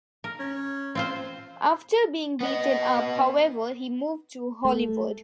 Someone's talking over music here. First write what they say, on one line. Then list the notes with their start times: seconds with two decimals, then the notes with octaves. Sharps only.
After being beaten up, however, he moved to Hollywood.
0.24 A#4
0.40 C#4
0.95 C4 F4 C5
2.41 B3 D#5
4.65 A3